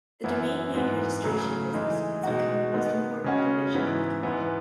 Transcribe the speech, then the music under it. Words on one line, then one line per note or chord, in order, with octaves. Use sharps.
The domain name registration business has become the most important division of the company.
F#2 E3 B3 E4
G#2 E3 B3
C#3 F#3 A3
E3 G#3 D#4
B2 G#3 D#4 F#4
D#3 G#3 B3
C#3 G#3 C#4 F#4
G#2 E3 B3 E4
G#2 E3 B3